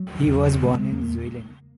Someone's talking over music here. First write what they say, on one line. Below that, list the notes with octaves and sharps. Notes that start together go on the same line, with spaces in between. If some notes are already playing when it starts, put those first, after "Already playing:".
He was born in Zuilen.
Already playing: F#3
E2 C#3
G#3
A#3